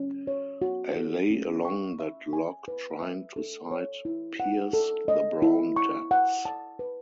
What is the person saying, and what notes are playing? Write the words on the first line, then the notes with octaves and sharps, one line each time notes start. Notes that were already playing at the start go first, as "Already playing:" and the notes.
I lay along that log trying to sight-pierce the brown depths.
Already playing: C#4
C#5
F#4
A4
C#4
C#6
E5
G#5
B4
E5
A4
C#5
E4
F#5
A4
D#5
E4
C#6
F#5
A5
B4